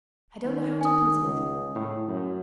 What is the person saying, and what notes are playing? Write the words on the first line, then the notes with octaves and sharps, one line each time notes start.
I don't know how to put it.
D#3
G#5 D#6
C#2
A2
F#2